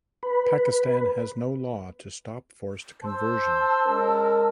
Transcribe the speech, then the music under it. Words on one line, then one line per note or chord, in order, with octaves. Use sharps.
Pakistan has no law to stop forced conversion.
B4
C5 A5 E6
G#3 C#4 A#4